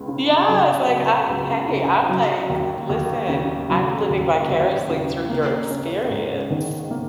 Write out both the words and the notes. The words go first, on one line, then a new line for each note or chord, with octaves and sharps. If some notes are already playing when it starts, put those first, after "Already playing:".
Yes, like, I hey I’m, like listen, I’m living vicariously through your experience.
Already playing: C#2 B3
C#3
F#3
B3
C#2
C#3
F#3
D#2
D#2
C#3
F#3
D#2
D#2
C#3
A#3
C#4
G#2
D#3
A#3